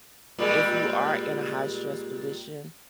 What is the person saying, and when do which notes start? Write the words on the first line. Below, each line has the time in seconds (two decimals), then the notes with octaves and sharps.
if you are in a high stress position,
0.39 A#2 G3 G#3